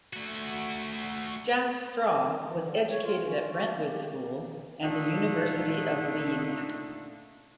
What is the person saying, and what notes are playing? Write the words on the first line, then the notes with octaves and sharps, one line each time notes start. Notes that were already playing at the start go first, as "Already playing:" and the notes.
Jack Straw was educated at Brentwood School and the University of Leeds.
A3 F#4
D#3
D3
G5
C#5
F4
C#4
F4
F#4
A#3
G4
A#2 D3 A3 D4 D#4 F4